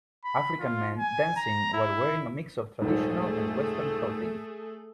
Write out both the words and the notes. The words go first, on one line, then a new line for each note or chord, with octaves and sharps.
African men dancing while wearing a mix of traditional and western clothing.
B5
F4
G#5
A#5
E4
D#1 G#2 A3 G#4 A4